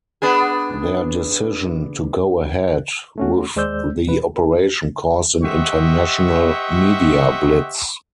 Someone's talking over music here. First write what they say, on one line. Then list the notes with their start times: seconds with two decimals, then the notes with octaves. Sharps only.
Their decision to go ahead with the operation caused an international media blitz.
0.22 B3 D4 G#4
3.18 A3 C#4 F#4
3.56 D#2 G#3 C5 D5 E6 G6
4.07 E2 B2 B4
5.43 G4 C5 D#5 E5 F#5 C#6